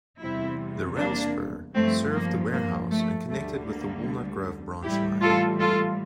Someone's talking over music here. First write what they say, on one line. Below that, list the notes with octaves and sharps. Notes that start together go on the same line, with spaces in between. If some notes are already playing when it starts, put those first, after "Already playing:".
The rail spur served the warehouse and connected with the Walnut Grove Branch line.
E2 C3 G3 C4 E4
A#3 D4
G2 F3 A3 C4
A#3
A#3
A3
D2 D3 G3 A3
A#3
A2 E3 G3 E4 G4
F4 A4
F4 A4